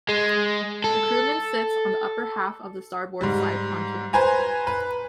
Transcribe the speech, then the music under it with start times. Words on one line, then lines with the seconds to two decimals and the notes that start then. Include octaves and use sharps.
The Crewman sits on the upper half of the starboard side pontoon.
0.09 G#3
0.84 A4
3.21 G#2 G3
4.13 B4 C5 G#5 A#5
4.67 B4